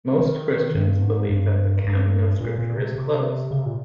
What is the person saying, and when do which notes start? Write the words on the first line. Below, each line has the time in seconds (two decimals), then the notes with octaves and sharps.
Most Christians believe that the canon of scripture is closed.
0.19 D#3
0.75 G2
1.01 G#2
1.30 G2
1.84 G2
2.40 A#2
2.58 A#2
2.76 C3
2.96 C3
3.51 C#3
3.59 C3
3.66 A#2